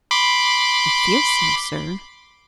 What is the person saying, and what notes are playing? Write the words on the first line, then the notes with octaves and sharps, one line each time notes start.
"I feel so, sir."
B5 C6 D6